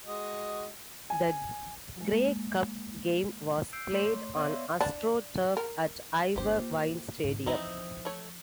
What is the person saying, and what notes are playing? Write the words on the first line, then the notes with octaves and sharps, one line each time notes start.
The Grey Cup game was played on astroturf at Ivor Wynne Stadium.
G#3 F#4 D#5
G#5
G#3 A#3
E6 G6 C7 D7
A3 C#5 C6
B3 C#5 D5 E5 F5 C6
D4
A#4
G1 G2 G4 C5
A#3 F4
G#2 D#3
E3 F3 C4 D#4 E4
A3 C#5